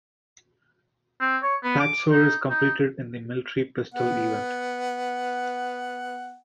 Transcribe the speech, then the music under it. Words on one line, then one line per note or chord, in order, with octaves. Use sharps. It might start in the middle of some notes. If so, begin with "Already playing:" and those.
Patsouris competed in the military pistol event.
C4
C#5
B3
D6
D#4
D#4
B3 F#5